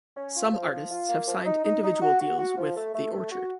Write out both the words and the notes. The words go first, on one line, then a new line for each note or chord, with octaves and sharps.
Some artists have signed individual deals with The Orchard.
C#4
F4
F3
F3
F4
A#3
F3
D#4
D#4
D#4
F#4
F#4
F#4
F3
A3
A3
A3
F#4